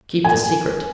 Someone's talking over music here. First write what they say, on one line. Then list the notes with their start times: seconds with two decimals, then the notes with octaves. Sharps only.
Keep the secret.
0.25 G#5